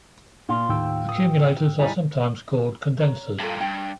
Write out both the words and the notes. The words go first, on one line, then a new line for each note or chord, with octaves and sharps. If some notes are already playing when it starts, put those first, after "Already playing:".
Accumulators are sometimes called condensers.
A#2 F4
D#2 A2 G5 E6
D#6
G3 D#4 E4 G#5 B5
C#5 A#5
G2 A#2 A4 F5 A5
G2 G5